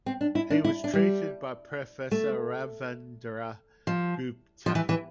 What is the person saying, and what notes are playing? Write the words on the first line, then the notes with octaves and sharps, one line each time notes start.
He was treated by Professor Ravindra Gupta.
C4
D4
E4
D4
E4
D4
G3
A3
F3
F3
E3
E3